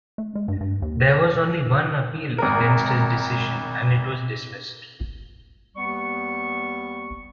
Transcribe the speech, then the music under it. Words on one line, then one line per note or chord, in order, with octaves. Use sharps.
There was only one appeal against his decision, and it was dismissed.
A3
G#3
G2
G2
D#2
A4
G#1 A#4
D#2 G3 B3 C#6